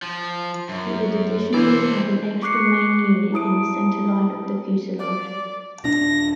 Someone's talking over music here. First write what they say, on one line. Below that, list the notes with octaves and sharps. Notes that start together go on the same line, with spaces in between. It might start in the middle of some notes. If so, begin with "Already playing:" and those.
It would additionally have an extra main unit in the centerline of the fuselage.
F3
F#2
E3 C5 D5
C#6 D6 F#6 C7 C#7
E4 A5 D#6 D7
D5
D#1 D4 A#6